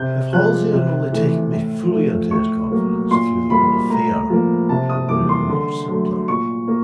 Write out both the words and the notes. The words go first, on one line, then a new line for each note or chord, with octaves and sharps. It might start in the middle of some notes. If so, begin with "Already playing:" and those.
If Halsey had only taken me fully into his confidence, through the whole affair, it would have been much simpler.
Already playing: C3 G6
F3 G#3 F#6
C3
E3 A3
A2
F3 A3
A2 C#6
F#3 A#3
A#2 C6
G3 A#3 B5
A2 A#5
F3 A#3
C3 A5
D#6
E3 G3 A#3 D6
C6
D3
F#3 A3
A#2 C#6
A#3